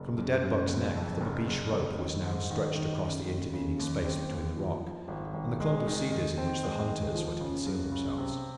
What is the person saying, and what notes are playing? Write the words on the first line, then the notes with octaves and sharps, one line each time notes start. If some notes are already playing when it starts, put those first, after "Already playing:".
From the dead buck's neck the babeesh rope was now stretched across the intervening space between the rock and the clump of cedars in which the hunters were to conceal themselves.
Already playing: F#1
F#2
F#2
F#1
F2
F#1
F#1
F#1
D#3
G#2
D#3
D#3
C#3
D#2
C#3
D#2
C4
D#2
F3
F3
G#1
G#1
G#3
D#3
D#3
C4
G#3
D#3
F3
C#3
F#2
C#3
C3